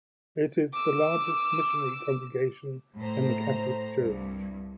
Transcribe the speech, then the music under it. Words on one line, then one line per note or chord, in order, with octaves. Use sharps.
It is the largest missionary congregation in the Catholic Church.
D6 E6
A2 C5 A#5
C2 G2